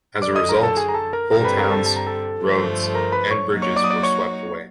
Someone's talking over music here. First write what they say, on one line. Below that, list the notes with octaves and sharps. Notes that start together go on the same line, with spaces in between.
As a result, whole towns, roads, and bridges were swept away.
F#2 D3 F#3 D5 D6
D#5 D#6
A#4 A#5
A4 A5
G#4 G#5
A#5
A4 A5
A#4 A#5
G2 D3 G3 C4 A#4 A#5
A#5
B4 B5
A#4 A#5
A4 A5
A5
A#5
A4 A5
G2 D3 F3 A3
A#4 A#5
B4 B5
C#5 C#6
F#3 A#3 D#4 F#4
C#5 C#6
D5 D6
D#6
D5 D6
C#5 C#6